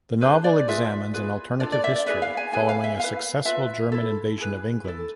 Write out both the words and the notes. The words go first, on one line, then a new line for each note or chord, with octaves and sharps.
The novel examines an alternate history following a successful German invasion of England.
D4 G#4 B4 C5
D5
F4 G#4 B4 E5
F4 G#4 B4
D4 F4 A4 D5
D5
E5
D5
E4 G#4 B4 E5
F5
G#5
E4 G#4 B4 G#5
F5
E5
E4 B4 F5
F4 B4 E5
E4 A4
E4 G#4 B4
E4 A4